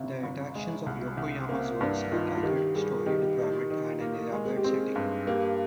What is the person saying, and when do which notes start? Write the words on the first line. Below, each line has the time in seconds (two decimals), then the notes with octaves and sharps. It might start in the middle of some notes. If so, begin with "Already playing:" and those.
The attractions of Yokoyama's works are calculated story deployment and an elaborate setting.
Already playing: G1 C3
0.23 G1
0.55 G#3
0.86 C2
1.17 C2
1.49 A#3 C4
1.81 G2 D4
2.12 D#3 F4
2.37 F4
2.43 D#3 G4
2.75 G3 G#4
3.06 D#3 G4
3.38 D#4
3.70 D#3
4.01 A#3
4.32 G#3
4.45 G#4
4.57 G4
4.64 C4 G#4
4.96 G2
5.27 A#3 G4